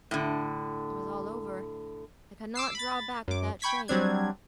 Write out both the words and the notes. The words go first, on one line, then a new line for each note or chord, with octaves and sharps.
It was all over; I could not draw back without shame.
A2 D3
D6 E6 C7
B5 A6
F#2 D6
G5 B5 C#6 G#6 B6
F#3 G3 C4 D4 G#6